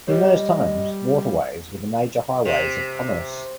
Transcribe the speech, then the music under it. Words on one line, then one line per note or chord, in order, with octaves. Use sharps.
In those times, waterways were the major highways of commerce.
G3 G4 C#5 D#5
C3